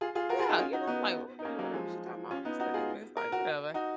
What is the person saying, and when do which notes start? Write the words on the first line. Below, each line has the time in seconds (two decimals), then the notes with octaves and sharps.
Yeah, you know, I'm like, "Okay, whatever she talking about, this then and this" like, "Whatever."
0.01 F4 G#4
0.15 F4 G#4
0.29 F#4 A#4
0.39 F4 G#4
0.49 D#4 F#4
0.58 C#4 F4
0.73 D#4 F#4
0.87 B3 D#4
1.39 D#4
1.45 A#3 C#4
1.59 F#3 A#3
1.73 F3 G#3
2.31 C#4 F4
2.45 B3 D#4
2.60 D#4 F#4
2.74 F4 G#4
3.17 A#4
3.32 F#4 A#4
3.74 D#4 F#4